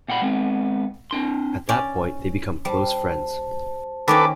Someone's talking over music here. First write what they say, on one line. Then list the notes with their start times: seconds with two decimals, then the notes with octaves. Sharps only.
At that point, they become close friends.
0.08 A#2 F#5 G5 B5
0.22 G#3 B3 C4
1.11 C4 D4 C6
1.69 C#4 D5
2.65 G3 C5 A5
4.08 D#3 A#3 C#4 A4 B4 D6